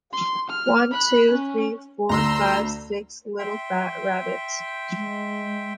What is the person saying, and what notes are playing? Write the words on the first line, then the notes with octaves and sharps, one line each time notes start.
One, two, three, four, five, six little fat rabbits!
C6
F6
B5 F#6
C#4
D2 A#5 C6 E6
E5 G5 C6
G#3